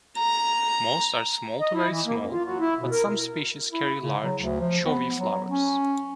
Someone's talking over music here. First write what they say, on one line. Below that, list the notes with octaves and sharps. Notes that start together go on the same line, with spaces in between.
Most are small to very small, but some species carry large, showy flowers.
A#5
D#5
E4
E3
A#3
F#2
F4
F#3
E4
B2
A#4
E4
C#3
F#3
D2
F3
B3
F#3
C#4